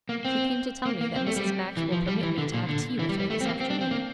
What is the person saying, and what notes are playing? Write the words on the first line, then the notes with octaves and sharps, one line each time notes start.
She came to tell me that Mrs. Max will permit me to have tea with her this afternoon.'
A#3
C4
A#3
A#3
C4
A3
G3
E3
F3
G3
E3
D3
A#2
D3
E3
G3
G3
A3
C4
A#3
C4
D4
C4
A#3